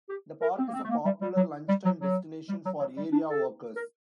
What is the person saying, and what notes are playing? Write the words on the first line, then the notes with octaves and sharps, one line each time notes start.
The park is a popular lunchtime destination for area workers.
G4
A#4
C4
A#3
C4
A3
A#3
G3
G3
F#3
G3
F#3
F#3
G3
F#3
F#3
G3
D4
A4
A#4